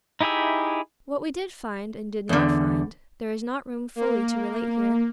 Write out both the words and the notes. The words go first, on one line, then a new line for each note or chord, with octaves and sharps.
What we did find, and did not find, there is not room fully to relate here.
D#4 E4 G4 G#4 E5
E2 D3
A#3